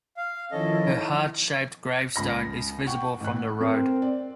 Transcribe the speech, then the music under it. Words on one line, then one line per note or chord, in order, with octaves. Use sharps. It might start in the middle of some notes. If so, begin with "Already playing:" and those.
Her heart-shaped gravestone is visible from the road.
F5
D#3 F3 C#4 E4 A4 D#5
C#2 B5 A#6
F#5 G5 C#6
A1 F#6
C4 A#4
D5